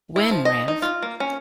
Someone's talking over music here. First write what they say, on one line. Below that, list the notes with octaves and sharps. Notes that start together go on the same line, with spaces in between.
When Rev.
E4
F3
D#5
D#4
F4
A#3
C#4